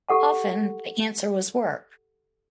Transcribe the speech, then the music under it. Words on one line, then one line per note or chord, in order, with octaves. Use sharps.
Often the answer was work.
G4 A4 F#5 A5